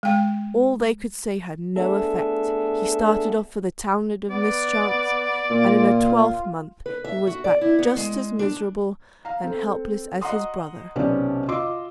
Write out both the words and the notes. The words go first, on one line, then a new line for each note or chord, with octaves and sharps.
All they could say had no effect: he started off for the Townland of Mischance, and in a twelvemonth he was back just as miserable and helpless as his brother.
G#3 G5
A3 B3 D4 G#4 A4 E5
B3 D5
A#2 F4
B4
E5
F#4
D5
E4
B3
G#3
D4
F5 A#5
C4 A4
D#5 F#5 A#5 C6 D#6
B1 C3 B3 C#4 G4 D5
F4 D#5 C6 D6 E6